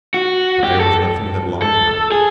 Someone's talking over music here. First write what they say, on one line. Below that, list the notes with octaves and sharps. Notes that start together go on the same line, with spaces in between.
But there was nothing that alarmed her.
F#4
G4
A4
A4
G#4